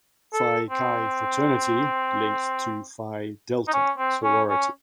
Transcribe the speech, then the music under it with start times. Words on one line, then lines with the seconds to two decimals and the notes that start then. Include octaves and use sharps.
Phi Chi fraternity linked to Phi Delta sorority.
0.33 A4
0.70 C4
3.68 D#4
3.73 C#4
3.98 C4
4.24 C#4
4.49 C#4